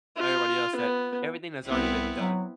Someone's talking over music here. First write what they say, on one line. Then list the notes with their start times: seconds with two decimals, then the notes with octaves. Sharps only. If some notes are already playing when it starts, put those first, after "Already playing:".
everybody else that everything has already been done.
0.17 F4
0.76 B3
1.67 C2 B3 C4 E4
2.19 F#3